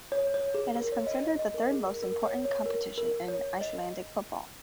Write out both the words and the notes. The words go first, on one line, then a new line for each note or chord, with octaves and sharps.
It is considered the third most important competition in Icelandic football.
C#5
C#5
G#4
A#4
C#5
D#5
D#5
D#5
A#4
G#4
A#4
A#4
C#5
C#5
A#4
A#4
C#5
D#5